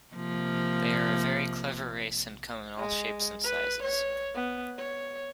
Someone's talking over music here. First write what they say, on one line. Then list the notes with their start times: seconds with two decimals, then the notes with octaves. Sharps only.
They are a very clever race and come in all shapes and sizes.
0.14 C3 F3 A#3
2.78 G#3
3.44 B4
3.83 C#5
4.35 B3
4.78 C#5